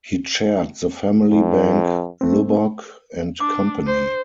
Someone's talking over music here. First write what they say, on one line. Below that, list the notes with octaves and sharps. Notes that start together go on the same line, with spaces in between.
He chaired the family bank Lubbock and Company.
F2
A3 C4
D4 D6
C5